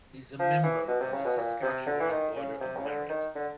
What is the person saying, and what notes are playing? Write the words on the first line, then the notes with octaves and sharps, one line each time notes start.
He is a member of the Saskatchewan Order of Merit.
F3
E3
B2
C3
C#3
B2
A#2
C3
D3
E3
D#3
C#3
C3
C#3
D3
D#3
D3